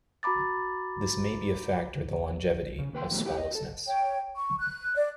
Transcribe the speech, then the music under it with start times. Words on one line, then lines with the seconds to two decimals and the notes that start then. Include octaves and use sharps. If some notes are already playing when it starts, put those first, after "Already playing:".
This may be a factor in the longevity of swallows' nests.
0.23 F#4 A#5 B5 D6 A6
2.79 C#3
2.93 D#2 B4 G5 C6
3.11 A#2 E3 F#3 G3 A3 B3
3.24 E2 E4 G4 G5
3.37 D#5
3.51 F#4 A4
3.86 C#5 G5
4.36 C#6
4.59 F#6
4.95 D5